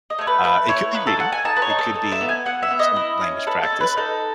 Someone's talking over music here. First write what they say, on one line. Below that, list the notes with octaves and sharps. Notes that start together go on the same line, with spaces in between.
uh, it could be reading, it could be l some language practice,
D#5
A3 C#5
B4
A3 B4
E4 C#5
D#4 B4
A4
A4 F#5
G#5
D#4 A5
B4
C#5
D#4
A4
A4
E5
B3
G#5
B3 F#5
E5
B3
D#5
E4
C#4
A4 B4
A4
C#4
B4
D#4 A4